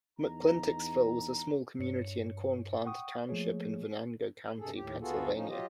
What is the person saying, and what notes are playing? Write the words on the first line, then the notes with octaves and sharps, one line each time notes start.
McClintocksville was a small community in Cornplanter Township in Venango County, Pennsylvania.
E2 D#4 A#5
G2 C#5 C#7
F#5 G5 C#6 D#6
F3 A3 A#3 G#4 C#5
G2 C3 G#4 A4
D#2 A2 G4
D2 B3 F4 F#4 G#4 A4
F3 C#4 D#4
F#3 F4 G4 D#5